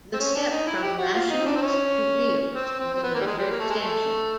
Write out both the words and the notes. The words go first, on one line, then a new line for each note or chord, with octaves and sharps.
The step from rationals to reals is a major extension.
C4
C#4
D4
D#4
E4
G4
F#4
F4
D#4
D4
C4
C#4
C4
C4
C4
B3
A#3
G3
G#3
G3
A#3
A3
G#3
A3